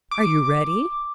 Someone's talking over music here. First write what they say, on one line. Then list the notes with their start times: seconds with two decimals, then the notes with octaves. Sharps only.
"Are you ready?"
0.11 D6